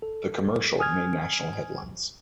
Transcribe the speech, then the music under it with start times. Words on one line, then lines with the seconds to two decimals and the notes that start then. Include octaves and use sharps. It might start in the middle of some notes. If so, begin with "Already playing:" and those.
The commercial made national headlines.
0.02 A4
0.79 G#5 D#6 F6 G#6